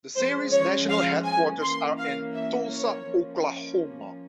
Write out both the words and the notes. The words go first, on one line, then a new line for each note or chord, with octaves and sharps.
The series national headquarters are in Tulsa, Oklahoma.
F3 G#3 C#4 C5
C#5
F5
G#5
E3 A#3 C#4 C6
F5
E5
C#5
F3 A#3 C#4